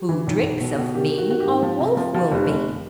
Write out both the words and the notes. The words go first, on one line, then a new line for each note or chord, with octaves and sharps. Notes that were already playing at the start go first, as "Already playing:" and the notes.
"Who drinks of me, a wolf will be."
Already playing: G4
E3
B1
B1
B2
B2
D#3 G4
D#3
F#4
D#3 F#4
G4
G#2
F3
C3
F3
F3
F1
F1